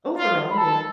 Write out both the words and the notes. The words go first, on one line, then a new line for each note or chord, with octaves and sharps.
overall, yeah,
F4
B5
A4 A5